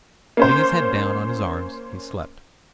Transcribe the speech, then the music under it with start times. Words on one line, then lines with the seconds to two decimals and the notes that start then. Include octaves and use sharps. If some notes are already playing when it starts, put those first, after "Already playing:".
Putting his head down on his arms, he slept.
0.37 A#3 C#4 C5